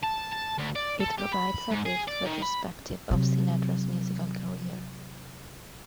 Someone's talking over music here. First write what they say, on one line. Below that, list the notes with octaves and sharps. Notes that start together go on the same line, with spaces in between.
It provides a brief retrospective of Sinatra's musical career.
A5
A5
D2
D5
A4
G4
B5
G#2
G#4
D5
D#3
B5
C3 F#3